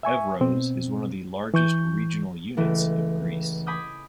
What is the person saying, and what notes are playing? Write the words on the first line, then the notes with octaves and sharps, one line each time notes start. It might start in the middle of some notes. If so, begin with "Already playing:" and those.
Evros is one of the largest regional units of Greece.
E5 G#5 C#6
B2 C4
E3 C#6 G6
C#2 E3 A3
G#5 B5 D6 D#6 G6